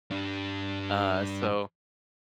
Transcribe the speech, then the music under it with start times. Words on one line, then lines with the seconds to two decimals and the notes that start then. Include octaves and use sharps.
Uh, so
0.12 G2 D4